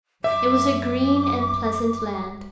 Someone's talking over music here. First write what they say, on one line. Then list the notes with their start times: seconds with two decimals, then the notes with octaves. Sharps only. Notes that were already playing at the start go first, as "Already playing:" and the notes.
It was a green and pleasant land.
0.24 F#2 E5 D6